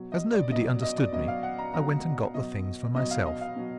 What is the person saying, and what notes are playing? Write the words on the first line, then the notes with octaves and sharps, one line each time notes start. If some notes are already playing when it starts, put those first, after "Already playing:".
As nobody understood me, I went and got the things for myself.
Already playing: B2 F#3
D#5
D5
B2 F#3 D#5
D#5
D5
B2 F#3 D#5
F5
F#5
A#5
B2 F#3 A#5
B2 F#3 D#5
B2 F#3 D#5
F5
D#5
F5
B2 F#3